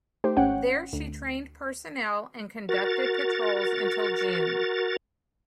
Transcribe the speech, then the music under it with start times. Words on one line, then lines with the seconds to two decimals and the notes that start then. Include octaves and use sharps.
There she trained personnel and conducted patrols until June.
0.24 A3 D#4 G4 C5
0.37 G#1 C#4 C#5 F#5 G5
0.93 D2
2.69 F#4 A#4 A6